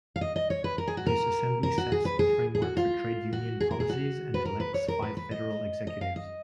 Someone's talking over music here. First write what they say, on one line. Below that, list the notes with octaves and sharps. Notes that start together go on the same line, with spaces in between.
This assembly sets the framework for trade union policies and elects five Federal Executives.
F5
D#5
D#5
C#5
B4
A#4
G#4
F#4
A#4
A#4
F#4
G#4
B4
G#4
G#4
F#4
F4
F#4
G#4
A#4
G#4
F#4
B4
A#4
B4
C#5
A#4
B4
B4
D#5
D#5
F5
D#5